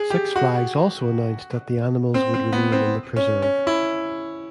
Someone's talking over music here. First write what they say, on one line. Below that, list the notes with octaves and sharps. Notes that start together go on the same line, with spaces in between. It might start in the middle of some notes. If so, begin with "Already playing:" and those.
Six Flags also announced that the animals would remain in the preserve.
Already playing: G#4
G4
F#4
C4
C4
B3
C4
C#4
C#4
E4